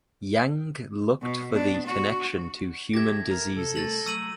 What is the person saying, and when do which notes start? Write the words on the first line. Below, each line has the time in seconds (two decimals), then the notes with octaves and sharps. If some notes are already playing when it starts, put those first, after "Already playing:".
Yang looked for the connection to human diseases.
1.22 B2
1.52 B3 D4
1.86 F#4
2.94 E4 G4 A4 E5 G#6 A#6
3.30 A#4
3.57 C3 A4
3.76 C2 A3 A6 A#6 F#7
4.06 F#3 A3 E6 D#7 F#7